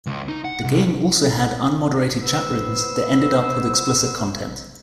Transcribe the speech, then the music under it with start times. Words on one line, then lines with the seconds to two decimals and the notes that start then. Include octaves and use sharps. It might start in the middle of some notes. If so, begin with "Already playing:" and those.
The game also had unmoderated chat rooms that ended up with explicit content.
0.07 C#2
0.28 D#4
0.45 F#5
0.65 C2
2.22 B3 C5 E6